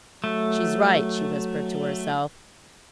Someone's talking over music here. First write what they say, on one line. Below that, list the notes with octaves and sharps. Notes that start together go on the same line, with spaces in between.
"She's right," she whispered to herself.
F#3 A3